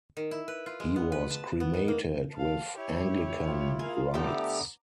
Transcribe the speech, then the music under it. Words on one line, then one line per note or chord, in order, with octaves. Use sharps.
He was cremated with Anglican rites.
D#3
E4
B4
F4
G#3
B3
B4
A5
B3
D#3
A#3
F5 A5
E4 G4 C#5
F4
A#3 G#4 F5
D3 A3 B3 E4 G4 A#5 D6